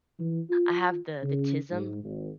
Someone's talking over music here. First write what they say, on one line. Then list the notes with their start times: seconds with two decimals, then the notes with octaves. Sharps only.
I have the the 'tism
0.19 E3
0.49 F4
1.22 C#3
1.70 G#2
2.03 G#1